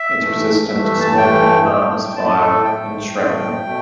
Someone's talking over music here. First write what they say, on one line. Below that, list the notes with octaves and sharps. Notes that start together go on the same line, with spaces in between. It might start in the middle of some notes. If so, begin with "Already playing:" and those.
It's resistant to small arms fire and shrapnel.
Already playing: E5
G2 E3 A3
G2 E3 A3 E5
E5
A5
G2 E3 A3 G5
A2 A3
A2 A3 A5
A4
A2 A3 G5
A2 A3
B2 A3